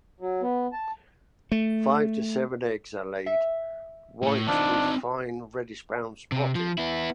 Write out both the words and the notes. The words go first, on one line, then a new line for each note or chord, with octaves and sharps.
Five to seven eggs are laid, white with fine reddish-brown spotting.
F#3
B3
A5
A3
E5
A2 A3
C3 B3 C4 D4 D#4 F4
C3
F3
B3 E4